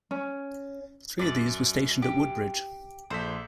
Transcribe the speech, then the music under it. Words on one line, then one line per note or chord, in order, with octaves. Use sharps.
Three of these were stationed at Woodbridge.
C#4
F#2 D5
G4
A#1 A4 C5 B6